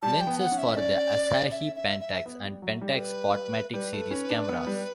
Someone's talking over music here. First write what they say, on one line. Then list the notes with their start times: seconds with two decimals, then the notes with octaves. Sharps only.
Lenses for the Asahi Pentax and Pentax Spotmatic series cameras.
0.02 G3 A5
0.21 G5
0.27 B3
0.39 F#5
0.52 C#4
0.58 E5
0.76 C#4 D5
1.51 E5
1.76 E5
2.01 E5
2.26 B3
2.44 G3
2.62 F#3
2.81 G3
2.94 A4
3.00 B4
3.74 G3 B4
3.93 A3
4.11 C#4
4.30 D4
4.49 B3
4.67 G3